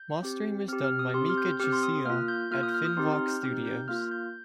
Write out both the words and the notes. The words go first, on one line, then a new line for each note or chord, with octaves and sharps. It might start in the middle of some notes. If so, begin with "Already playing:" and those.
Mastering was done by Mika Jussila at Finnvox Studios.
Already playing: G6
C4 G4
C4 G4 F6
F6
D#6
C4 G4 C6
F6
G6
C4 G4 F6
C6
D#6
D#6
A#3 F4 F6
G6
A#3 F4 F6
D#6
G6
F6
D#6
C4 D#4 G4 C6
F6
G6
C4 D#4 G4 F6
G6
G6
A#3 F4 F6
G6